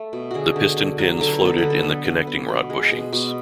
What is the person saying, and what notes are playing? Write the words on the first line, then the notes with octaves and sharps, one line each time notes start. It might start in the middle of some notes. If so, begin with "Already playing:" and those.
The piston pins floated in the connecting rod bushings.
Already playing: A3
B2
D3 F#4 G#4
D3
D3
F#3
D3 A4
B4
B3 A4
D3 B4
A4
B3
B3 B4
B3
B2
G#3
B2
B2